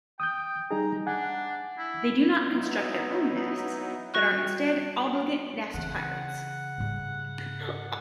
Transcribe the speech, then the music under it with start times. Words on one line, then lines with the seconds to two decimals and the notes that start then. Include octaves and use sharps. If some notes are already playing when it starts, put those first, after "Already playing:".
They do not construct their own nests, but are instead obligate nest pirates.
0.20 G5 D#6 G6
0.71 G3 D#4 G#4 A#5
1.07 D4 F#5 G#5
1.78 E4
2.43 F#3 B3 D#4 E4
4.14 G3 F#4 C#6 F#6
5.74 C#3 E3 C4 F#5
6.78 G#2 G3